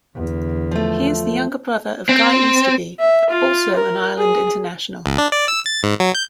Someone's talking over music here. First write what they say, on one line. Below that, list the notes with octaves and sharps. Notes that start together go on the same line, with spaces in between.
He is the younger brother of Guy Easterby, also an Ireland international.
E2 D3
F3 A3
C4
E5
F4
A#4
G#4
C#2
D4
D5
E6
A6
G#2
F#3
G6